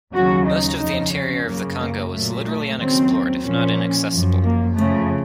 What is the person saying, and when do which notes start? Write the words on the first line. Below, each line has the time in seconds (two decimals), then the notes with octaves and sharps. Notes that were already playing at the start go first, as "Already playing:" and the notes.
Most of the interior of the Congo was literally unexplored if not inaccessible.
0.14 D#2 C#3 F#3 F#4
0.48 D#4
0.80 F2 C#3 F3 D#4
1.14 C#4
1.46 F#2 C#3 F#3 A#3
1.79 A#3
2.12 A#2 F#3 A3
2.45 A3
2.78 D#2 C#3 F#3 C4
3.44 A#2 F3 C#4
4.11 F#2 F3
4.43 A#3
4.76 F2 C#3 F3 A3